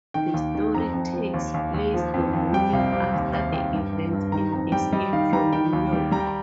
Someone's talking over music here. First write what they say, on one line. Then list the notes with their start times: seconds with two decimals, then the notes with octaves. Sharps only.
The story takes place the morning after the events in "Escape from New York".
0.14 D#3 G5
0.34 D#2
0.55 D#3
0.75 F2 A#5
0.94 F2
1.14 F3
1.34 D#2
1.54 D#2
1.74 D#2
1.94 F3
2.14 F2
2.33 F2
2.53 G3 G5
2.73 C2 F5
2.93 C3 F5
3.14 D#2
3.33 D#2 F5
3.53 D#2 G5
3.73 G2
3.93 G2
4.13 G2
4.32 D#3 A#5
4.52 F2 A#5
4.72 G3 G5
4.92 G3 D#5
5.13 D#3 F5
5.33 G3 A#5
5.53 D#3 G5
5.73 D#2
5.93 G3
6.11 G3 A#5
6.20 G5
6.27 A#5